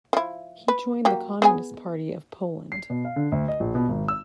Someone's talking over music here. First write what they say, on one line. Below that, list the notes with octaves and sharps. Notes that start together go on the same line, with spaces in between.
He joined the Communist Party of Poland.
F3 E4
B4
F#3 A#3 G4
B3 G#4 G#5
C7
B2
F5
D3
D2
D#5
A#1
B2
G#1
E6